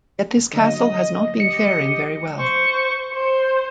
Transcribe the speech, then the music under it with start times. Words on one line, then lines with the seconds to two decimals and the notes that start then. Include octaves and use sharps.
Yet this castle has not been faring very well.
0.53 D3 F#3 D#5
1.40 G4 D#5 C#7
2.39 C5 C#6
3.14 C5